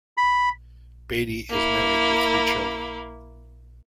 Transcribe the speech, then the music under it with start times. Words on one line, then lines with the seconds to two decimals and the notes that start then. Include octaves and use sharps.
Beattie is married with three children.
0.17 B5
1.50 A#3 E4